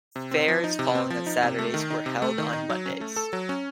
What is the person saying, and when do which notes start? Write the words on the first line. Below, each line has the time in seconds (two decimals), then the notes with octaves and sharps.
Fairs falling on Saturdays were held on Mondays.
0.16 C3
0.31 C4
0.48 F3
0.64 D#4
0.79 C3
0.95 C4
1.10 F3
1.26 D#4
1.43 C3
1.59 A3
1.74 D#3
1.90 D#4
2.06 C3
2.22 A3
2.38 D#3
2.53 D#4
2.70 F#3
2.86 C#4
3.01 A3
3.16 A4
3.33 F#3
3.49 C#4